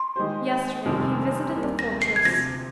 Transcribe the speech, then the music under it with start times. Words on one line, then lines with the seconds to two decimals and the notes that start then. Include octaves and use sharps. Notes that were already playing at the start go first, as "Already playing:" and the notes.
Yesterday he visited the fortress.
Already playing: C6
0.16 D#3 G#3 D#4 G4 C5
0.85 F1 F2 C3 D#3 G3
1.55 D#2 D#3 G3 A#3
1.79 A#6
2.02 C7
2.16 G#6
2.25 D2 C3 F3 A#6